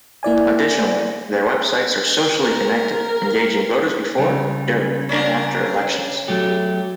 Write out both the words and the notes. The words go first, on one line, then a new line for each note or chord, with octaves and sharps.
Additionally, their websites are socially connected, engaging voters before, during, and after elections.
A#3 E4 D5 G#5
A#4
C#3 G3
C#4 D4 A#4
F#3 A3 G4